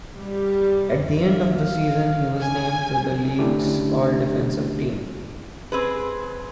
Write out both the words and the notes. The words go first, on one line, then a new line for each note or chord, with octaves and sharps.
At the end of the season, he was named to the league's All-Defensive Team.
G3
F4 E5
F5
G#5
D3 A3 C#4 D4 E4 G4
C4 G#4 B4